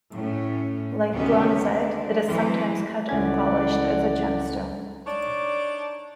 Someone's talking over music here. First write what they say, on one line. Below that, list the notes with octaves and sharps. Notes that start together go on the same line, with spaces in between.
Like bronzite, it is sometimes cut and polished as a gemstone.
A2 C#4
D2 C3 D#3 B3 C#4 G4
G#3 D4
E3 F#3 G#3 C4
C#2 E3 G#3 C#4 A4 D5 F#5 G#6
D4 D#4 C#5 D5